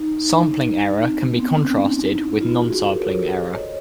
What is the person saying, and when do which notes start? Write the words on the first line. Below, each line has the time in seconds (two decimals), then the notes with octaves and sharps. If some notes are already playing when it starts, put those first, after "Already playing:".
Sampling error can be contrasted with non-sampling error.
Already playing: D#4
0.51 D#4
0.86 D4
1.04 C4
1.22 B3
1.40 C4
1.57 C#4
1.66 D4
1.76 E4
1.85 D#4
1.93 E4
2.29 E4
2.41 F4
2.46 E4 F#4
2.64 F#4 G#4
2.76 G4 A4
2.89 A#4 C5
3.00 B4 C#5
3.36 C5 D5
3.54 C#5 D#5